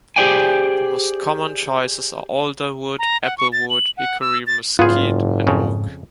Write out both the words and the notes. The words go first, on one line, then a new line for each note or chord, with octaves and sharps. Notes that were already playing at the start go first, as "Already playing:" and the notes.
The most common choices are alder wood, apple wood, hickory, mesquite, and oak.
G4 G#4 C5 D5 G5 G#5
A#5
F#5
C#6
A6
F#7
F#5
E6
A6
F#1 G#2 B3 F4 G#4
F2 C#3